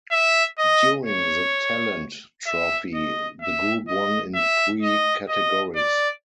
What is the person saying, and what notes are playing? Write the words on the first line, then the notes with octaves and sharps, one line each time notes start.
During the Talent Trophy, the group won in three categories.
E5
D#5
C#5
E5
D#5
E5
D#5
E5
D#5
D#5
D5